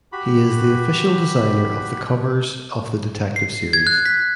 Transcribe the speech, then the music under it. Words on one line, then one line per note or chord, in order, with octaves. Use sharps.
He is the official designer of the covers of the detective series.
F#4 G4 B5
C7
G#6
F#6
B6